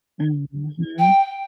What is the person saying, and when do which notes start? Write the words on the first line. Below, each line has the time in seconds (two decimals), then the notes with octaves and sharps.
Mm, mhm.
0.99 G5